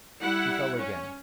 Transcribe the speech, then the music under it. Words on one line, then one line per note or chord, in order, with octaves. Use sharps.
He fell again.
G3 E4 F#5
C#4